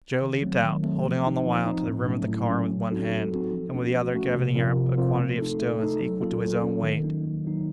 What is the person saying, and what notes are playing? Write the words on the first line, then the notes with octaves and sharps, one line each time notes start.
Joe leaped out, holding on the while to the rim of the car with one hand, and with the other gathering up a quantity of stones equal to his own weight.
D#3
F#3 A3 C4
D#3
F#3 A3 C4
F3
C4 D#4
F3
C4 D#4
A2
F#3 A3 C#4
A2
F#3 A3 C#4
F#3
C4 D#4 F#4 A4
F#3
C4 D#4 F#4 A4
F3
A3 C#4 F#4
F3
A3 C#4 F#4
C3
F3 C4 F4 A#4
C3
F3 C4 F4 A#4
A3
D#4 A4
A3
D#4 A4
F#3
A#3 C#4 F4 A4
F#3
A#3 C#4 F4 A4
D#3
F#3 A#3 D#4
D#3
F#3 A#3 D#4